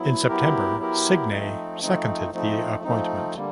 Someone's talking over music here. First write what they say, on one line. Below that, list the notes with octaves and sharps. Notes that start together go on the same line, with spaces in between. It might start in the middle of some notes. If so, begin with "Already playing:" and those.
In September, Signay seconded the appointment.
Already playing: F#3 B3 E4
F#3 B3 E4 G4 A#4
F#3 B3 E4 G4 A#4
F3 A3 C4 D#4
F3 A3 C4 D#4
F3 A3 C4 D#4
F3 A3 C4 D#4
D3 G3 A#3